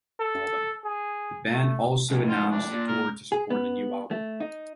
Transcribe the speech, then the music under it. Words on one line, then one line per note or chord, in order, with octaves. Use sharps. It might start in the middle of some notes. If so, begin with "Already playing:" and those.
The band also announced a tour to support the new album.
A4
G#4
A3
F2 A2
F4
D4
A#2
A#4
G#4
B3
A3
D#4